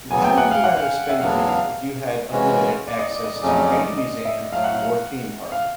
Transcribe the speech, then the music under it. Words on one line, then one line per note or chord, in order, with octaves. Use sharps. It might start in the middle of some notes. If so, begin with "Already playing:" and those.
wh how would you rather spend a week if you had unlimited access to any museum or theme park?
D2 C#3 F#3 B3 G#5
G5
F#5
F5
F#5
F5
E5
E2 C#3 F#3 B3 D4 F5
F5
C#3 E3 G#3 C#4 F#4
D5
D#5
D5
D#5
D5
F2 C#3 F#3 A3 C#4
D#5
D5
D#5
D5
D#5
E5
A2 F#3 A3 F5
F#5
F5
F5